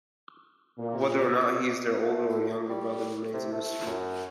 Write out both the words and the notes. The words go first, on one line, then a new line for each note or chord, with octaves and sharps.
Whether or not he is their older or younger brother remains a mystery.
A#2
A3
A2
G3
C3
A3
F#2